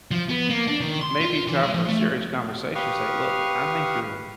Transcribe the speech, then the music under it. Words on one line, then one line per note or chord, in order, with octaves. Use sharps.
maybe time for a serious conversation to say, "Look, I think you're
F3
B3
A#3
D4
D#3
C6
F4
E3
G#3
F3
A3
G4 B4 F5 C#6 D#6 F6